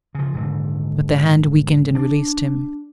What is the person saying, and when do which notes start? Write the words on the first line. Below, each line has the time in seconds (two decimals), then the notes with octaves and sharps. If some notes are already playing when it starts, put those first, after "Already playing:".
But the hand weakened and released him.
0.15 C#3 F3
0.34 D#1 G#2 D3
1.95 D4